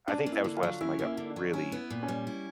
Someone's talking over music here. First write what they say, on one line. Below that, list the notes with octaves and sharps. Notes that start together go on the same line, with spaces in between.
I think that was the last time I got really
C#4 D4
A#3
E4
D3
F4
F#3
C#4 E4
A#3
E4
D3
D4
F#3
C#4 E4
B3
A#2
C#4
G3
E4